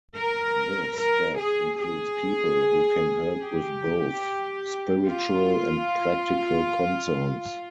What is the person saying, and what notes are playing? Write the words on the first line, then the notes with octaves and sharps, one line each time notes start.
The staff includes people who can help with both spiritual and practical concerns.
A#4
A#4
G#4
G#4
G4
F4